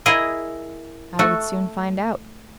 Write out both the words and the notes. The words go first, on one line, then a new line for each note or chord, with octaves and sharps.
I would soon find out.
E4 G#4 A#4 D#5
A3 F#4